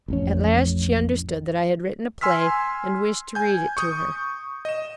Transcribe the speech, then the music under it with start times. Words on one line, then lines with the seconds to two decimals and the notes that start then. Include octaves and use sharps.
At last she understood that I had written a play, and wished to read it to her.
0.08 A1 F2 C#4
2.21 G#5 C6 E6 F6 B6
3.35 G#5 G6
3.77 C#6 D#6 G6
4.65 D#5 E7